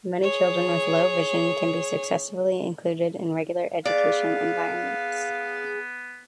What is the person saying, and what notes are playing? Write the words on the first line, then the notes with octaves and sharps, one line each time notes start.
Many children with low vision can be successfully included in regular education environments.
G#4 C#5
B3 G#4 D5 F5